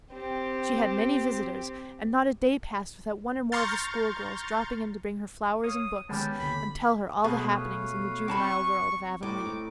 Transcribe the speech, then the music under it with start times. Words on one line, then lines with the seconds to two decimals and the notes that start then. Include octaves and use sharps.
She had many visitors and not a day passed without one or more of the schoolgirls dropping in to bring her flowers and books and tell her all the happenings in the juvenile world of Avonlea.
0.13 C4 G4
3.52 A#5 C6 C#6 F6 G6 A6
5.64 C#5 F5 D#6
6.09 D#3 G#3 B3 C#4 G4 A5
6.39 D#2 D3 B5
7.24 B2 A3 G#4 B4 C#5 F5
8.28 C4 A5 B5 C#6
9.23 A2 C4 D#4 D6